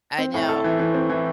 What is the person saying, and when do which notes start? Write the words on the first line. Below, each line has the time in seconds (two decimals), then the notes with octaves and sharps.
I know.
0.18 C4
0.34 A2
0.49 A4
0.64 E3
0.80 E3
0.94 C4
1.10 E3